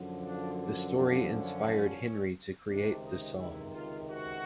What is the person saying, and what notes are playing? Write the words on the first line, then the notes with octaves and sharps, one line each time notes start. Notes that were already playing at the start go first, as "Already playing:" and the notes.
The story inspired Henry to create the song.
Already playing: F#2 D3 F3
D4
D4
D4
C#4
C#2 C3 D#3 D4
D#4
E4
F4
F#4